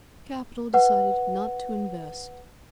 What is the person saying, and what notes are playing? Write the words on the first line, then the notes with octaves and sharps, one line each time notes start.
Capital decided not to invest.
B4 F#5